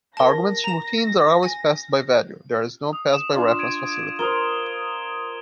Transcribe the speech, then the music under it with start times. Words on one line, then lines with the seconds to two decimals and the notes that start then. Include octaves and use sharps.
Arguments to routines are always passed by value; there is no pass-by-reference facility.
0.17 A#4 A5 A#6
0.64 A#5 E7
1.43 G#5
2.93 D#6
3.14 E7
3.33 D4 F4
3.59 G#6 D7 D#7
4.19 A#4 C5 D#6 G7